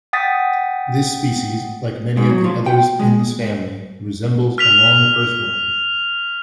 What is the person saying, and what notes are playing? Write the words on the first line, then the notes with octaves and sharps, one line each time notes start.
This species, like many of the others in this family, resembles a long earthworm.
F#5 G5 D#6 A6 B6
G#2
F#3
F3
G5
G#3
F6 B6 F7